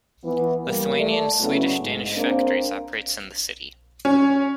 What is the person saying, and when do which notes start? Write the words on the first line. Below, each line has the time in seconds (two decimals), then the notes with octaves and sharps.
Lithuanian, Swedish, Danish factories operates in the city.
0.24 E3 B3
0.64 G3 A#3
0.99 A3 D5
1.40 C#3 F#3 A3 B3 C#4 E4
1.81 G#2
2.15 A#3 C4 D4
4.05 C#4